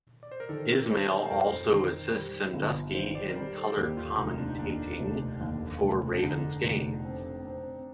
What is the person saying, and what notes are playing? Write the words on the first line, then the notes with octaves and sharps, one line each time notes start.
Ismail also assists Sandusky in color commentating for Ravens games.
D5
C5
A#4
D#3 A4
A#4
G3 C5
C5
C5
F2 A#4
D#3
G3
G1
D#3 C5
D5
A#4
G3 C5
A4
A4
D#2 G4
F4
F1 D#4
D4
D#4
D#2 D4
F1
D#2
F1
D4
D3 D#4
F1
C4
C4